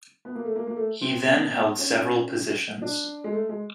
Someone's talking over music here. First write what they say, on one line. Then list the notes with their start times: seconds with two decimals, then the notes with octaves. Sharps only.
He then held several positions.
0.25 B3
0.35 A#3
0.45 A3
0.56 A#3
0.67 A#3
0.76 A3
1.01 C4
1.10 B3
1.21 C4
1.27 B3
1.79 C#4
2.82 D4
3.24 G#3
3.32 A3
3.49 G#3